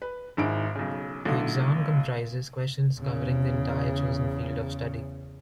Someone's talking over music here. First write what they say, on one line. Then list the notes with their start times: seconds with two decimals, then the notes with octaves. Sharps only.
The exam comprises questions covering the entire chosen field of study.
0.02 B4
0.37 G#1 G#2 E4 D7
0.75 B1 C#3
1.25 B1 A2 D3
2.98 E2 C#3